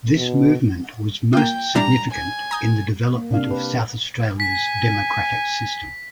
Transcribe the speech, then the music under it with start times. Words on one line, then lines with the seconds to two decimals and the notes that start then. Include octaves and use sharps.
This movement was most significant in the development of South Australia's democratic system.
0.17 B2
1.33 A#3 F4 G5
1.75 E3 G3 D4 A#5
2.12 G#5
2.51 A#5 D#6 G6
3.14 A#3
3.31 C3 D4 F5
3.51 G4 B4
4.40 G#5 B6